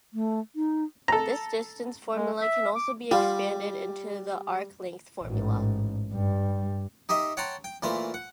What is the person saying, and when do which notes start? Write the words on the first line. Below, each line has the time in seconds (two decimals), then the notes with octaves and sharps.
This distance formula can also be expanded into the arc-length formula.
0.14 A3
0.56 D#4
1.08 A4 A#5
2.16 G#3
2.41 E5
2.75 D6
3.11 G3 F4
5.24 A1 G#2
6.12 G2 G3
7.09 D#4 G4 D#5 E5
7.37 C#5 F#5 G5 A5 A#5 C6
7.64 G5
7.83 A#2 E3 A3 C5 F5
8.14 F#5